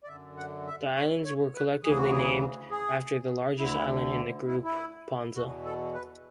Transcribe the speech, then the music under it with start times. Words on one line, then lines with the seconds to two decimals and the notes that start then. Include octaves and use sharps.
The islands were collectively named after the largest island in the group, Ponza.
0.04 D5
0.08 F#2 D3 E5
0.37 F#5
0.67 E5
0.95 C#5
1.25 C#5
1.55 B4
1.83 D2 C#3 E3 G#4
1.98 F#4
2.11 G#4
2.71 G#4
3.59 D2 D3 E4
4.47 E4
4.64 E4
5.35 E2 B2 F#4
5.65 A4
5.94 B4